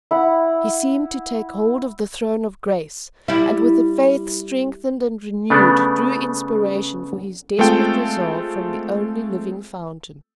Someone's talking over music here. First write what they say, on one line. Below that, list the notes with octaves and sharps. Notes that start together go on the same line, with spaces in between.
He seemed to take hold of the throne of grace and, with a faith strengthened and renewed, drew inspiration for his desperate resolve from the only living fountain.
E4 F#5 B5
G3 E4
C#3 A3 B3 D4
G#3 A3 C4 F4 A4 G5